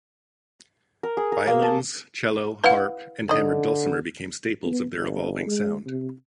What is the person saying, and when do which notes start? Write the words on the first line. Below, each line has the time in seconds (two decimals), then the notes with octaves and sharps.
Violins, cello, harp, and hammered dulcimer became staples of their evolving sound.
1.03 A#4
1.17 G#4
1.32 A#4
1.47 A#3
1.62 A5
2.64 C#4 E4 B4 F5 F#5
3.29 D3 D#4 D#5
4.65 B3
4.97 G1
5.46 G#3
5.86 C3